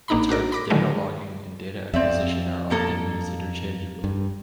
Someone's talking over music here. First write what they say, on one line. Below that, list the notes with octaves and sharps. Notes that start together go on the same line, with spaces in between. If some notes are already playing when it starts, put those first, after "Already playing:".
The terms data logging and data acquisition are often used interchangeably.
A#1 A#3 D4 D#4 A#5 B5
D4 F#4 A#4 D5
B5 D6 A#6
D3 D#3 F#3 G#3 A3
F2 C4 D5 E5
F3 A#3 A4
G2